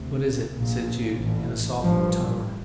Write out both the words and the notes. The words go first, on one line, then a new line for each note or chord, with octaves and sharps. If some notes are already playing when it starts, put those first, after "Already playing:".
"What is it?" said Jude, in a softened tone.
Already playing: D2 C3
A#1 A#2
A1 A2
A1 G2 F3